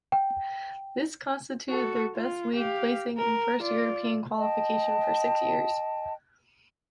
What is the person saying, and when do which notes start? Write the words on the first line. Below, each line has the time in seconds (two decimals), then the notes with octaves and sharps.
This constituted their best league placing and first European qualification for six years.
0.12 G5
1.70 F#4 A4
2.16 F4
2.56 G4 F5
3.17 A#4
3.62 F4 D5
4.38 D#5 G5 A5